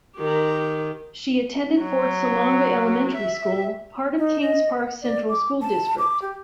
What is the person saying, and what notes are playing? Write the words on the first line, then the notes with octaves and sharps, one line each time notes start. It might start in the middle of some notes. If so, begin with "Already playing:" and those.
She attended Fort Salonga Elementary School, part of Kings Park Central School District.
D#3 G4
F#3
E5
D#4
D#5
F#5
D5
D6
A5
D6
G4